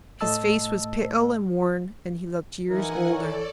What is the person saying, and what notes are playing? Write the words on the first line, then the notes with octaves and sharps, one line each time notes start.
His face was pale and worn and he looked years older.
A2 A3 D#5 A5 E6
E3 D#4 E4 A#4 F#5 G#5
A4 C#5 D5